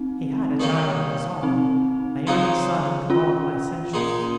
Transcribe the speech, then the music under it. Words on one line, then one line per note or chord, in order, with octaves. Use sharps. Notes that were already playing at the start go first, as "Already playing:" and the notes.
He had a child of his own, a young son called Licentius.
Already playing: C4 D#4
D#3 G3 A#3 C#4
C4 D#4
C#3 F3 G#3 D#4
C#4 F4
A#2 G#3 D#4